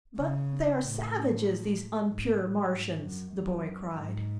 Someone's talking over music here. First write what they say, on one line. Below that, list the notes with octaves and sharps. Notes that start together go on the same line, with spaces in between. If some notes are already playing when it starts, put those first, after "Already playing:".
"But they are savages, these unpure Martians," the boy cried.
C#3
A2
G#2
A2
G#2
F#2
F#2
G#2